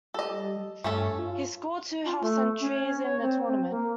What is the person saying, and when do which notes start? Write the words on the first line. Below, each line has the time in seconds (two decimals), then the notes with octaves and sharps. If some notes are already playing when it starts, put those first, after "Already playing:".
He scored two half-centuries in the tournament.
0.14 G3 A4 D#5
0.84 G2 A3 C#4 A4
1.18 F4
2.04 F4
2.21 A3
2.60 C#4
3.02 C#5
3.21 C4
3.46 C4
3.70 A#3